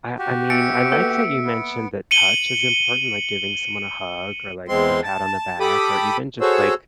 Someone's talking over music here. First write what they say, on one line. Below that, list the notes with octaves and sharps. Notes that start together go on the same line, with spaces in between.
I I mean, I like that you mentioned that touch is important, like giving someone a hug or, like, a pat on the back or even just, like,
F#4 G4
B3 E5 C#7 D7
A#3 A4 B4
B3
C#7 D#7 F#7 G7
E2 G#3 C4 C6
A5
G4 A4 B5 D6 D#6
F#4 G#4 A4 C5 C#5 E6